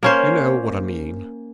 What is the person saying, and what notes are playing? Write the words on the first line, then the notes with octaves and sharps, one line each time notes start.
You know what I mean.
A#3 C#4 C5